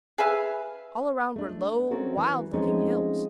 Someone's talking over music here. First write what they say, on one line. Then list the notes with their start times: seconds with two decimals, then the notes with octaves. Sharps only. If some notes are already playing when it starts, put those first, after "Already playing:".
All around were low, wild-looking hills.
0.18 G#4 B4 E5 F5
1.36 A3 D4
1.91 C4 C#4 F#4 A4 A#4
2.17 E3
2.53 F3 G#3 A3 C4 C#4 D#4